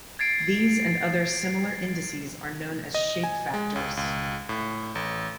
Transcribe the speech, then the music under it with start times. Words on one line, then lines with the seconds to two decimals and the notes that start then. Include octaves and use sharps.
These and other similar indices are known as shape factors.
0.19 G#6 A6 C7 D7
2.95 D#5
3.23 G#5
3.54 G#3
3.76 C#2
3.97 C#2
4.49 A2
4.95 A1